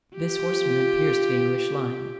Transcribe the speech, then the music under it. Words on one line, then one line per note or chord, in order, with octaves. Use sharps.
This horseman had pierced the English lines.
F4 G4